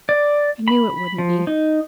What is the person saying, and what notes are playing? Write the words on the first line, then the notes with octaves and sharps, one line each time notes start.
'I knew it wouldn't be.
D5
B5
F3
D#4